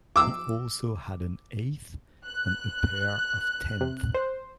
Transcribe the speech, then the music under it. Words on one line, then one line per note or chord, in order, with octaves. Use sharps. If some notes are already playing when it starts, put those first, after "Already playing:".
He also had an eighth and a pair of tenths.
D6 E6
F#6
C3
C5